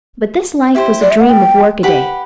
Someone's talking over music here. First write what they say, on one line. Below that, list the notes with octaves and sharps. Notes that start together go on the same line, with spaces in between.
But this life was a dream of workaday.
E4 G4 C5
D5
E5
F#5
G5
G4 B4 F#5 B5